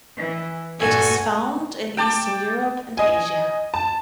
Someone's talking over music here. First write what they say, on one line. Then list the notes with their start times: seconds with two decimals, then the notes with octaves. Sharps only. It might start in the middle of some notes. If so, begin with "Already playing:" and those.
It is found in eastern Europe and Asia.
0.16 E3
0.79 G2 A#2 F#4 A4 G#5 G#6
1.97 G5 A5 D6
2.97 D#5 G#5
3.74 A5